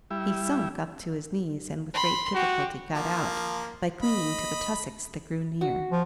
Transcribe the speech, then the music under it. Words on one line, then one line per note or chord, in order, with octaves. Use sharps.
He sunk up to his knees, and with great difficulty got out by clinging to the tussocks that grew near.
G3 E4
B5 C6
F#4 G4
F3 A#3
D#5 B5
F#4
F3